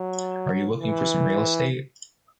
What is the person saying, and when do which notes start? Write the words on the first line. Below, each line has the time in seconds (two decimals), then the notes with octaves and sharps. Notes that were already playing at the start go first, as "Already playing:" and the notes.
Are you looking for some real estate.
Already playing: F#3
0.82 E3